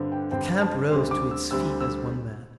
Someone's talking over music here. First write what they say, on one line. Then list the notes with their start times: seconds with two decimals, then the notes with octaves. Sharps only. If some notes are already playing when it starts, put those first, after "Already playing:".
The camp rose to its feet as one man!
Already playing: G2 D3 C4
0.12 G5
0.31 G2 D3 C4 G5
0.62 A5
0.91 D2 D3 G3 C4 C6
1.11 D6
1.31 E6
1.51 D2 D3 G3 C4 E6
1.80 E6